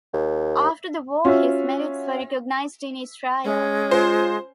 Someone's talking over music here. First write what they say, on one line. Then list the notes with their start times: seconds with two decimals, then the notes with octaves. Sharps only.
After the war his merits were recognized in Israel.
0.13 D#2
1.25 C#4 F4 F#4 C#5 E5
3.44 G#3 C#4
3.91 F4 C5